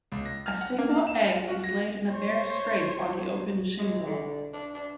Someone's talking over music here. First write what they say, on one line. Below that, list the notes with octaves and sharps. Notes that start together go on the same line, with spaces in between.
A single egg is laid in a bare scrape on the open shingle.
C#2
A#6
F6
F#5
A#3
F5
E7
F4
F#4
A#6
C5 C#5
G#3
D3
D4
D4